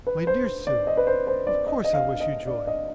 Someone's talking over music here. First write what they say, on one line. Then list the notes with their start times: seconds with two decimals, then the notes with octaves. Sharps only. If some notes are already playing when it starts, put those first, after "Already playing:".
MY DEAR SUE,--Of course I wish you joy!
0.07 B4
0.27 C5
0.67 D5
0.87 D#5
0.97 B4
1.07 C5
1.27 C5
1.47 D5
1.67 D#5
1.84 D#5
1.93 F5
2.20 D#5
2.47 D5
2.67 D#5